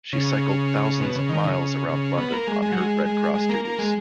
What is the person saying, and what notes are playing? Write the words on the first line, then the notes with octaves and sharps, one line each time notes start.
She cycled thousands of miles around London on her Red Cross duties.
C#3
B2
C#3
D#3
C#3
C#3
B3
A#3
G#3
G#3
F#3
G#3
G#3
G#3
A#3
A#3
G#3